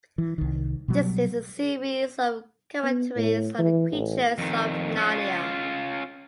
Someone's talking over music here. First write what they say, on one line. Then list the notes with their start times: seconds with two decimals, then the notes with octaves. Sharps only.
This is a series of commentaries on the creatures of Narnia.
0.18 E3
0.38 C2 D#3
0.88 B2 F#3 G3
2.83 B3
3.16 A2
3.59 E3
3.92 A1
4.38 F2 D#3
4.97 C#4 F4